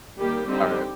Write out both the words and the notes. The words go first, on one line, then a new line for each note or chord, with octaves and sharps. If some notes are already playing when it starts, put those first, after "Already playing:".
But it's alright.
D#3 G3 A#3 G4
D3 G3 C4 D#4 G4